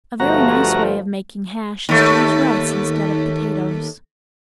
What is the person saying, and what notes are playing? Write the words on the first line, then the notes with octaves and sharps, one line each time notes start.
A very nice way of making hash is to use rice instead of potatoes.
G1 F3 A3 F#4 A#5
D#2 A3